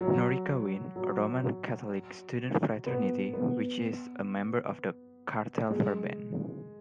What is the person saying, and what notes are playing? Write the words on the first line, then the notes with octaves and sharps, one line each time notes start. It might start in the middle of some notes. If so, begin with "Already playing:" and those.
Norica Wien, a Roman Catholic student fraternity, which is a member of the Cartellverband.
F#3
F#3
B3
B3
G#3